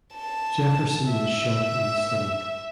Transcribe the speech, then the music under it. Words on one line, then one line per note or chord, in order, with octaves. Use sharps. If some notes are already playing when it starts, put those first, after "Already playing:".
Jefferson was shot in the stomach.
A5
E5